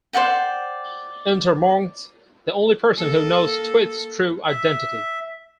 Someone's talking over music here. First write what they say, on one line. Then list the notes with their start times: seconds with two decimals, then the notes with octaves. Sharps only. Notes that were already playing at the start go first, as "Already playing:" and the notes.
Enter Monks - the only person who knows Twist's true identity.
0.13 C5 D5 F#5 G5
2.97 A#3 A4
4.48 E5